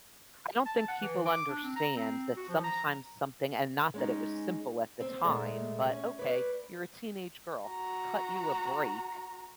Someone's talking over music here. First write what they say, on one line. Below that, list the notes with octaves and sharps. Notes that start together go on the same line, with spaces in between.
I don't think people understand that sometimes something- and not that it was simple at the time- but, "Okay, you're a teenage girl, cut you a break,"
A5
F#5
E3
D6
D4
C4
A#5
C4
F#4
F3
A#5
G#3 C#4 D#4
C4
A#2 G#3 A3
C#4
B4 C#5 D5
F#4 A#5